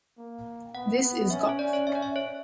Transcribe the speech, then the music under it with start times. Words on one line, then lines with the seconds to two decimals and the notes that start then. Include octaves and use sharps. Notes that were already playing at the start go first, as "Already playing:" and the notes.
This Is Goth!
0.18 A#3
0.75 B3 F#5
1.03 B3
1.30 C#4 E5
1.49 C#5
1.59 C#4 D5
1.73 C#5
1.87 C#4 E5
1.95 D5
2.02 E5
2.16 C#5